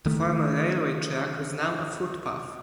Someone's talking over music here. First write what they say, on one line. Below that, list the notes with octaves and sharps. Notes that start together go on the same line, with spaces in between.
The former railway track is now a footpath.
D#3 A3